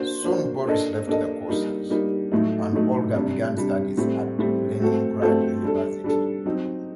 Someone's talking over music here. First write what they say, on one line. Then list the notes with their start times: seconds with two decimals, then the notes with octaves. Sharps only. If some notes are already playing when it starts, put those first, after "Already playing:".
Soon Boris left the courses, and Olga began studies at the Leningrad University.
Already playing: A#3 D4 F#4 C5
0.24 A#3 D4 F#4 C5
0.66 A#3 D4 A4 D#5
1.07 A#3 D4 A4 D#5
1.49 G3 A#3 D#4
1.90 G3 A#3 D#4
2.32 A2 F#3 A3 D#4
2.73 A2 F#3 A3 D#4
3.15 C3 G3 D4
3.56 C3 G3 D4
3.97 A2 G3 C4
4.39 A2 G3 C4
4.80 A3 C4 F#4 A4 C5
5.22 A3 C4 F#4 A4 C5
5.63 G3 D4 A4
6.04 G3 D4 A4
6.46 F#3 C4 D#4